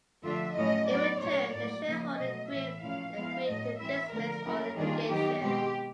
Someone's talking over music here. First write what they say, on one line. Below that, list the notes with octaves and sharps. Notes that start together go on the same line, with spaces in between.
In return, the shareholder group agreed to dismiss all litigation.
D3 F3 A3 D4 F4 E5
A2 F#3 A3 C#4 E4 D#5
F#3 B3 D#4 D5
A#2 F#3 A3 D4 C#5
A2 F#3 A#3 D5
C#3 F3 A#3 D#5
B2 F#3 A3 D#5
A2 E3 A3 E5
A#2 F3 A3 C#4 E4 F5
F3 G#3 B3 E4 F5
A2 F#3 A3 D#5
E3 G#3 C4 E4 E5
D3 F3 A3 A#4
F#3 A#3 C#4 E4
D#3 G3 A#3 D4 F4 G#4
D#3 F#3 B3 D#4 G4
B2 G#3 C4 G4